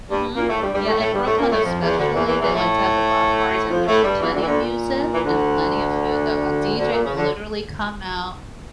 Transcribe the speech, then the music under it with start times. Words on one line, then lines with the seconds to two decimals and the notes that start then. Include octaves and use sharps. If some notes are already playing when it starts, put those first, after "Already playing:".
mhm, yeah, in Brooklyn, especially, they like to have the block parties, and there's a plenty of music, and plenty of food though, a DJ will literally come out
0.11 G2 G3
0.36 A#2 A#3
0.49 A2 A3
0.61 G2 G3
0.74 G2 G3
0.87 A2 A3
1.00 A2 A3
1.13 G2 G3
1.26 A2 A3
1.38 A#2 A#3
1.51 A2 A3
1.64 F2 F3
1.81 E2 E3
1.98 D2 D3
2.16 E2 E3
2.28 E2 E3
2.41 E2 E3
2.54 A2 A3
3.69 F2 F3
3.86 A2 A3
4.03 G2 G3
4.21 E2 E3
4.33 D2 D3
4.42 E3
4.47 D2 D3
4.60 A#2
5.14 E3
5.24 D2 D3
6.77 D2 D3
6.91 A#2
7.04 C#3
7.16 D3